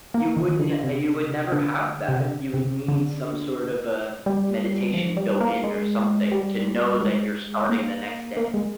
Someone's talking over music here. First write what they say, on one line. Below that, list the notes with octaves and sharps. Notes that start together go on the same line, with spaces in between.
You wouldn't n uh, you would never have that. You would need some sort of a meditation built in or something to know that you're starting the next day.
A#3
D#3
D3
C3
D3
C3
D3
C3
D3
G3
F3
G3
A#3
G#3
G3
G#3
A#3
A#3
G#3